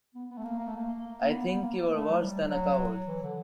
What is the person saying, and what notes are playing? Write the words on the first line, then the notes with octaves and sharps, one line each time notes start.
I think you are worse than a coward.
B3
B3
A3
A#3
A#3
A3
A#3
A#3
B3
B3
A#3
A3
F#3
G3
F#3
E3
D3